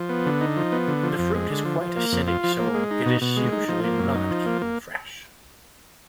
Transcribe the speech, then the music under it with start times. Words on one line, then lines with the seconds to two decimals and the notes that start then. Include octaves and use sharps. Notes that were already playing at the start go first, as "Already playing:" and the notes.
The fruit is quite acidic, so it is usually not eaten fresh.
Already playing: F3
0.09 B3
0.26 D3
0.41 D#4
0.57 F3
0.72 B3
0.88 D3
1.03 F3
1.19 F2
1.35 G#3
1.50 D3
1.65 F3
1.81 F3
1.97 A#3
2.12 F2
2.28 F4
2.44 F3
2.59 A#3
2.75 G#3
2.91 D#4
3.06 B2
3.21 B2
3.37 G#3
3.52 D#4
3.68 F3
3.84 A#3
4.00 F#2
4.14 D#4
4.31 F3
4.46 A#3
4.62 A#3